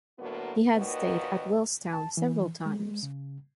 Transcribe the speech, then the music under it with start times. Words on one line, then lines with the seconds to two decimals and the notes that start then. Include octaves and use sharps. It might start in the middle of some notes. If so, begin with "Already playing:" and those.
He had stayed at Willstown several times.
0.19 A2 D3 F#3 A#3 B3 F#4
0.75 D#2 A#2 D#3 F#4 B4 D#5
1.93 A5
2.17 E3
2.66 G#3
3.03 C#3